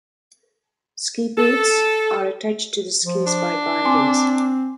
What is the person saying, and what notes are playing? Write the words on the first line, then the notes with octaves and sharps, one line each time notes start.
Ski boots are attached to the skis by bindings.
A4
F3
D4
C4 G#5 C6 D6